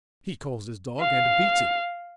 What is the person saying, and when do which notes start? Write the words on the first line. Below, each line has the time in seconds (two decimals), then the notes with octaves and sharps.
He calls his dog and beats it.
1.00 F5